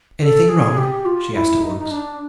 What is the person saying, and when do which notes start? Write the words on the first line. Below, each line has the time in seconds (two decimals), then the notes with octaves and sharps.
"Anything wrong?" she asked at once.
0.20 A4
0.48 G#4
0.77 G4
1.05 F4
1.34 E4
1.61 D#4
1.79 D#4
1.91 D4